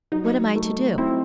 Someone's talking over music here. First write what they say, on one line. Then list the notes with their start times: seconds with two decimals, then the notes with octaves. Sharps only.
"What am I to do?"
0.12 F#3 D#4
0.55 A3
0.98 C4 E4